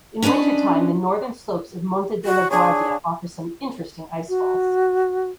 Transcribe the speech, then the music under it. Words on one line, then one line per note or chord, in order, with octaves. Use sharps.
In wintertime the northern slopes of Monte della Guardia offer some interesting icefalls.
C#4 D4 B4 D5 D#5
F#4
D4 G#4 C#5
F#4